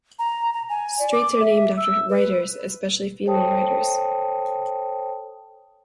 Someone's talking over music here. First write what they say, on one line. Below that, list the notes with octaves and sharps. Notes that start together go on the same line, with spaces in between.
Streets are named after writers, especially female writers.
A#5
A#5
G#5
D5
D6
E5
E6
B4
A4 C5 C#5 G5 A5 D#6